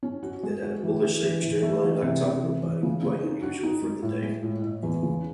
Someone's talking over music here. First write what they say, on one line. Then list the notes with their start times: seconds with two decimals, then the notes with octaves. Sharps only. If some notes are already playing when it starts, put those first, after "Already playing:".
It had a bullet-shaped streamlined octagonal body, quite unusual for the day.
0.03 C#4
0.23 F#4
0.43 G#3
0.62 F#4
0.83 E3
1.03 E3
1.23 E3
1.43 E3
1.62 A3
1.83 E3
2.03 C3
2.23 C3
2.43 E3
2.62 E3
2.83 C#3
3.03 C#3
3.23 D#4
3.43 F#4
3.63 D#4
3.82 G#3
4.03 A2
4.23 G#3
4.43 A2
4.63 A2
4.83 E2
5.03 C#3